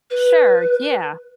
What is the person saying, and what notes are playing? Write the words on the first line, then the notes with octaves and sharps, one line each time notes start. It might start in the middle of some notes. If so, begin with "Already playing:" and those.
Sure, yeah.
B4